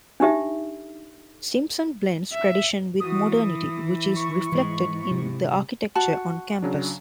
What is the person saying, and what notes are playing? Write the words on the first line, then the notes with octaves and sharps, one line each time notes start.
Simpson blends tradition with modernity which is reflected in the architecture on campus.
D4 D#4 G4 E5
E5
E3 F#4 D#6
E4
C#6
G#2 E3 G#3
C3
F#4 A5
C#3 F#3 D4